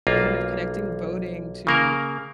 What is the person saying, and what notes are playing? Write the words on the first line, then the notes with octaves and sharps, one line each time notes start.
kind of connecting voting to
B1 A#3 F4
C#3 A#3 A#4